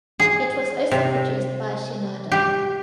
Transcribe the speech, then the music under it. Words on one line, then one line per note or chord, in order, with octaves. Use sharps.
It was also produced by Shinoda.
G#4
C3
G4